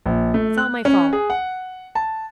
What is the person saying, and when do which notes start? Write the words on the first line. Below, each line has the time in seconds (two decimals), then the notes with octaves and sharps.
It's all my fault.
0.06 A#1
0.34 A3
0.58 F#6
0.85 C#4
1.13 G#4
1.30 F#5
1.95 A5